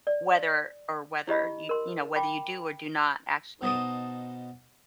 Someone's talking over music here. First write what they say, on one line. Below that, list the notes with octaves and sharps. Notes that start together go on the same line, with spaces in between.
whether or whether you you know whether you do or do not actually
D5
E4 G4 D#5 B5
A#4 C6
G5 B5 D6
B2 D#4 C5 A5 D#6